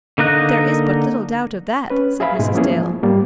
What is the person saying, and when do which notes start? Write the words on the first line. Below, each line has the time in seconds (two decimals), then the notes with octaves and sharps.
"There is but little doubt of that," said Mrs. Dale.
0.18 D3 A#3 D#4 D#5 F#6
1.90 C#4 B4
2.20 G#4 E5 F5 B5
2.39 G#2 B2 G#3
2.54 F3 A#3 B3 C#4 E4 G#4
2.70 F3
3.03 G#2 G3 A#3